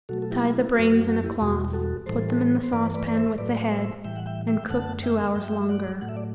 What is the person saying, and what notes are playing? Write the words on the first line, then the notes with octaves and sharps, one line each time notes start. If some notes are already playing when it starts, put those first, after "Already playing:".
Tie the brains in a cloth, put them in the saucepan with the head and cook two hours longer.
B2 F#3 A3 F#4 A4
A4
E4 G4
E4
F#2 F#3 A3 F#4
F#4
F#4
E4 G4
E2 B2 G3 F#4
F#4 A4
A2 E3 G3 A4 C5
C5
G2 E3 A3 B4 D5
B4 D5
D5
C5 E5
A2 F#3 A3 B4 D5
C5 E5
A2 E3 G3 E5 G5
F#5
E5 G5
E5 G5
F#2 D3 A3 F#5 A5
E5 G5
G2 F#3 A3 E5 G5
E5
D5 F#5
A2 F#3 A3 F#5
E5
D5